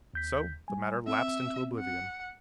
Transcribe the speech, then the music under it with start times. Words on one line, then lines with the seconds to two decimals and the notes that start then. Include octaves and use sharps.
So the matter lapsed into oblivion.
0.14 D#2 G6 B6
0.68 G3 G#5
1.07 C4 E5
1.79 F#5